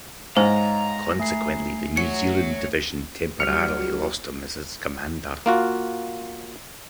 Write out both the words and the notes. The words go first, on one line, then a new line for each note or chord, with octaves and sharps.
Consequently, the New Zealand Division temporarily lost him as its commander.
G#2 C5 C#5 D#5 F5 A#5
A3 G#5 C7
C#5 F#5 C#7
F#3 G3 F6 C#7
F#4
A#3 F4 F#4